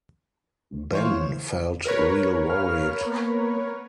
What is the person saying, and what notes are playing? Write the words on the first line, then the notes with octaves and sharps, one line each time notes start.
Ben felt real worried.
E3 C5 C#5 F5
A#4 B4 C#5
F5 F6
A#3 B3